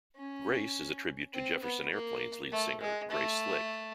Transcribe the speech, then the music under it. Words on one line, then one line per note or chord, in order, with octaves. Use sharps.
"Grace" is a tribute to Jefferson Airplane's lead singer, Grace Slick.
C#4
C4
B3
A#3
A3
G#3
A3